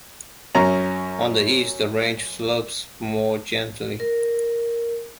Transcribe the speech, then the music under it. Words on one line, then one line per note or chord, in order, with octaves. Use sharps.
On the east, the range slopes more gently.
F#2 C#4 A#5
A#4